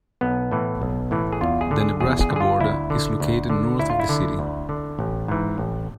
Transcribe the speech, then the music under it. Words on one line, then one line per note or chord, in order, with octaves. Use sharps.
The Nebraska border is located north of the city.
B1 B3
A2 E3
B1
A2 E3
G#4
E2 F4
G#4
D3
G#4
E2 G#4
G#4
D3
G#4
F4
D2 E4
D3
D2
D3
D2 E4
F4
E4
D3
D2
D3
A1
G#2 E3
A1